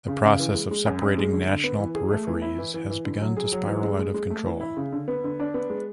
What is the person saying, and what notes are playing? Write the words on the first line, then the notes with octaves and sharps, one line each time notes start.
The process of separating national peripheries has begun to spiral out of control.
C#3
C#3
E3
G#3
G#3
F#2
F#2
G#3
D3
D3
B3
E3
G#4
A3
E3
E4
E3
E3
E3
D3
F#3
G#4
F#3
E3
G#3
G#3
G#3
A3
E3
E4
C#3
D3
B3
D3
D4
B3
G#3